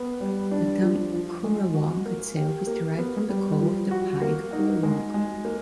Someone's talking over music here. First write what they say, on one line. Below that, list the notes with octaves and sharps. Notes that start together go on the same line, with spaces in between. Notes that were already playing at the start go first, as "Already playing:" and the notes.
The term "currawong" itself is derived from the call of the pied currawong.
Already playing: B3
G3
D4
F3
F3
G#3
F#4
A#3
G4
A#3
B3
G3
F3
F#4
A#3
D#4
G#3
G#3
A#3